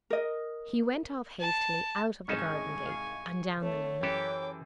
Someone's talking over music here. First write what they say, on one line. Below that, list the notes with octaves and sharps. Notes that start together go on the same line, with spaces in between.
He went off hastily out of the garden-gate and down the lane.
A#4 D#5
A5
C2 G#2 C#4 D#4 D#5 G#5 A5 C#6
G#4 F5
F2 A3 C#5
F#2 E3 G4 A4 G5 D6